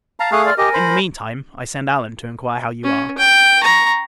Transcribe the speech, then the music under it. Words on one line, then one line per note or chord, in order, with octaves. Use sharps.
In the mean time, I send Allen to inquire how you are.
F5 A5 A#5
A3 G#4 F5 C#6 D#6 F#6
D5 C6 F6
G4 A#4 D#5 G#5
C5 B5
C#4
G5
A#5 C#6